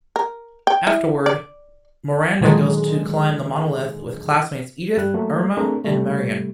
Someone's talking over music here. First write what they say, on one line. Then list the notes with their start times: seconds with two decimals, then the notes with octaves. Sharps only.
Afterward, Miranda goes to climb the monolith with classmates Edith, Irma, and Marion.
0.16 A#4
0.67 G5
0.87 E4
1.26 D5
2.41 A#2 D3 D#3 F#3 G#3
4.97 G2 G3 F#6
5.14 F#3 A3 A#3
5.57 A3 C4 D4 G#4 A#4
5.84 C3 G3 A3